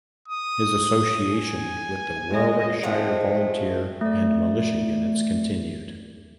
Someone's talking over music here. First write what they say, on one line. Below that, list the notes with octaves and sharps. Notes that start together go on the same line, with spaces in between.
His association with the Warwickshire volunteer and militia units continued.
D#6
G#5
G#3 D#5
F3 G#3 A3 C4
A3 D5